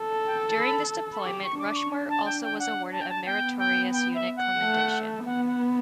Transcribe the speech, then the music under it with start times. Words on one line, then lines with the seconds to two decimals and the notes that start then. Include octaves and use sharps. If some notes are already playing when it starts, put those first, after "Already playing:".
During this deployment, "Rushmore" also was awarded a Meritorious Unit Commendation.
Already playing: A4
0.26 G5
0.42 A5
0.59 B5
1.12 B5
1.19 C#6
1.25 G4 D6
1.43 C#6
1.59 D4 D6
1.70 D6
1.76 C#6
2.10 A5
2.26 G5
2.43 G5
2.59 F#5
2.92 A5
3.01 G5
3.09 A5
3.25 B3 G5
3.58 G5
3.92 G5
4.14 E5
4.36 F#5
4.59 A3
5.25 B3 F#5
5.46 F#5